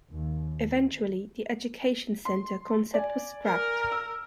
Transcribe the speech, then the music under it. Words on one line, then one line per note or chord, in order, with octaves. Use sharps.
Eventually the "Education Center" concept was scrapped.
D#2
C6
D5 G#5
A#4
E6